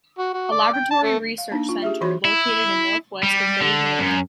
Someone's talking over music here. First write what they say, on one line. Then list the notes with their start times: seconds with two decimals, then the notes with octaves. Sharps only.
A Laboratory Research centre located in northwest of Beijing.
0.18 F#4
0.34 F#4
0.51 D5
0.74 G5
0.91 A5
1.03 A3
1.38 F5
1.51 A#3 D4 D#4
1.69 F4
1.82 G4 G#4 E5
2.01 E3 F#4 B5 C6
2.25 E4
3.23 G3
3.61 D3
3.99 F#2